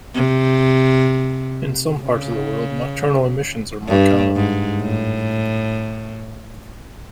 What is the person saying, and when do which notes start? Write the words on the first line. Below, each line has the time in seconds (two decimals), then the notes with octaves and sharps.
In some parts of the world nocturnal emissions are more common.
0.15 C3
2.01 C#3
3.88 G2
4.35 G#2
4.82 A2